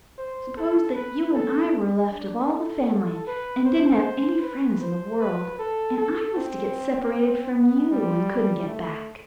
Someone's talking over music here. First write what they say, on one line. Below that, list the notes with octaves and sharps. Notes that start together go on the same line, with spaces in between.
"S'pose that you and I were left of all the family, and didn't have any friends in the world, and I was to get separated from you and couldn't get back?"
C5
A4
B4
A4
D4
A4
B4
C5
B4
C5
B4
A4
A4
C4
B3
G3
A3